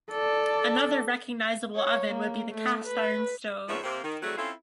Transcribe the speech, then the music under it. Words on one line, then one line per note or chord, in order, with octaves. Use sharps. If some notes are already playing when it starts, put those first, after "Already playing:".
Another recognizable oven would be the cast-iron stove.
A4 D5
C#5
A#3
A3
B4
G#2 F3 B3 C#4 E5
C3 A#3 C4
D#3
E3 F#3 G3 A3 C4 G#4
C4 C#4 E4 F4 A4